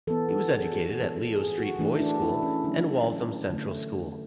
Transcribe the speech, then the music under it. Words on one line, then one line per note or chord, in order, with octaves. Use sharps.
He was educated at Leo Street Boys' School and Waltham Central School.
E3 B3 A4
A4
G#4
F#4
E3 B3 A4
A4
G#4
F#4
E3 A3 D4
D4
E4
C#4
D3 F#3 A3 D4
D3 A3